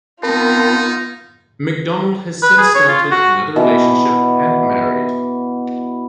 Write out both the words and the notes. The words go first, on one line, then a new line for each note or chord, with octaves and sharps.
MacDonald has since started another relationship and married.
B3 C4 D#4 F4 A#4 A5 B5
B4
G#4
C#5
F4
F#4
B2 E3 B3